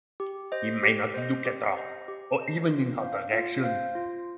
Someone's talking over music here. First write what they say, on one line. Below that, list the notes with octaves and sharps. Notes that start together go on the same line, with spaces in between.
He may not look at her or even in her direction.
G4
C5 D#5
G4
C5 D#5
G4
C5 D#5
G4
C5 D#5
F4
C5 F5
F4
C5 F5
F4